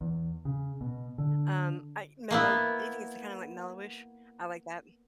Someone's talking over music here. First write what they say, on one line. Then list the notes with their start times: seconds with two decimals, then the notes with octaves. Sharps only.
Um, I mellow. Anything that's kinda, like, mellowish, I like that.
0.01 E2
0.45 C#3
0.81 B2
1.18 D3
2.31 A#3 B3 E4